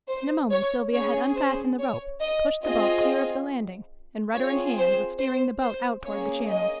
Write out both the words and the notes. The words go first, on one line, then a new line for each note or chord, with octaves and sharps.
In a moment Sylvia had unfastened the rope, pushed the boat clear of the landing, and rudder in hand was steering the boat out toward the channel.
C5
C#5
C#4 G#4 C#5
C5
C#5
D#5
C4 F4 G#4 D#5
C4 F4 G#4 C#5
C5
C5
C5
A#3 C#4 G#4 C#5
D#5